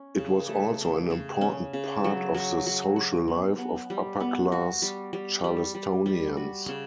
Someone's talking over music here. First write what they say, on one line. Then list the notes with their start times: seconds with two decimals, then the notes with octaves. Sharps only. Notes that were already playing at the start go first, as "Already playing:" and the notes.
It was also an important part of the social life of upper-class Charlestonians.
Already playing: C#4
0.18 C#3
0.48 A3
0.80 C#3
1.10 C#3
1.41 C#4
1.73 C#3
2.04 F#3
2.34 F#3
2.66 F#3
2.96 F#4
3.28 B3
3.58 B3
3.90 G3
4.20 B3
4.52 F#4
4.82 G3
5.13 G3
5.44 G3
5.75 G3
6.06 G3
6.37 F#4
6.68 C#3